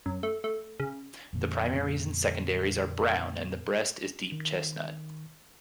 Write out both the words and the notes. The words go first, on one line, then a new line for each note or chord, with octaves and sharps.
The primaries and secondaries are brown and the breast is deep chestnut.
F#2
A3
A3
C#3
F2 A#2 D3
D#3